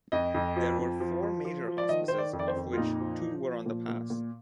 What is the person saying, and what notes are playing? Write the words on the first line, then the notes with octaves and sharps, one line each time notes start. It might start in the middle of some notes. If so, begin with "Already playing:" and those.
There were four major hospices, of which two were on the pass.
F2 D#5
F2
F3
F2
F3
F3
F3
F3
D5
D#3 D#5
D#3 C5
D5
F2
D5
C5
F2
F4
A#2 D#4
F3
F3
F3
A#2
A#2
A#2